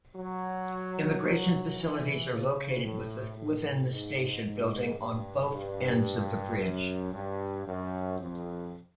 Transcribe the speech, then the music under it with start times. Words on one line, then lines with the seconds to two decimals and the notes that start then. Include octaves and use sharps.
Immigration facilities are located within the station building on both ends of the bridge.
0.15 F#3
1.76 E3
2.30 C#3
2.83 A2
3.37 A2
3.91 G#2
4.44 G#2
4.99 G2
5.52 G2
6.60 F#2
7.13 G2
7.67 F#2
8.20 F2